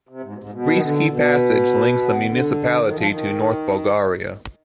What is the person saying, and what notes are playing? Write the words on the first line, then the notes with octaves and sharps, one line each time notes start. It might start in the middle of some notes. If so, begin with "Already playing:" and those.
Rishki Passage links the municipality to north Bulgaria.
C3
G#2
B2
G#2
B2
D#3
D3
B2
D#3
D3
D#3
F3
D#3